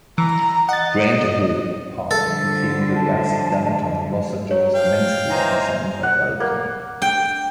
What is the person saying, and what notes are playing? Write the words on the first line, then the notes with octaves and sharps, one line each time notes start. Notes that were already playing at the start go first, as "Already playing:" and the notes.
Grand Hope Park became the last downtown Los Angeles landscape designed by Halprin.
E3 A#5
D#5 F#5 A6
D3 F3 G3 A4
A5
F#3 C#5
F3 F5 G5
E3 D#4 C5 G#5 A#5
F#5
A#3
G5